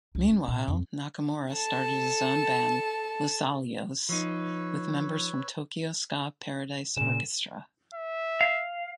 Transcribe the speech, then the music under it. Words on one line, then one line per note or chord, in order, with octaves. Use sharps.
Meanwhile, Nakamura started his own band "Losalios" with members from Tokyo Ska Paradise Orchestra.
C#2
C#4
A#2
F2
A4 A5
F3 D#4 B4 C#5 E6
A#2 C#3 E7
E5
F5